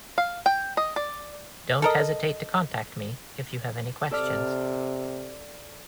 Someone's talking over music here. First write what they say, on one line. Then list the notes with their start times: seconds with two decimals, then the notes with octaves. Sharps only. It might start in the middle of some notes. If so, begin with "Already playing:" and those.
Don't hesitate to contact me if you have any questions.
0.18 F5
0.46 G5
0.77 D#5
0.96 D5
1.82 A4 A#4 D#5
4.11 C3 A4 D5 F6